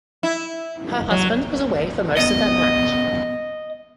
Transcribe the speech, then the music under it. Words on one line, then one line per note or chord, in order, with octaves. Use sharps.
Her husband was away for most of their marriage.
E4
F#3
B3 D#5